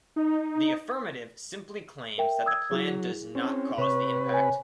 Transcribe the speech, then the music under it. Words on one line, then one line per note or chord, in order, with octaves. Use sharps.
The affirmative simply claims that the plan does not cause the impact.
D#4
A#4 E5 G5
D#6 E6 G#6
F#3 E4 G#4
C4 C#4
C3 B4 C#5 C#6
C#5 G#5